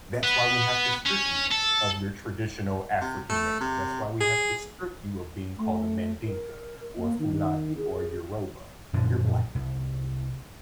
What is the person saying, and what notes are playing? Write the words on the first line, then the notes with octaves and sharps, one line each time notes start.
that's why we have to strip you of your traditional African name. That's why we have to strip you of being called a Mandinka or Fulani or Yoruba. You're Black.
B3
C#4
A4
C3
A3
C3
G#4
A3
A#4
A#3
D#3
G#4
A#1 F#2 D3 F3
C2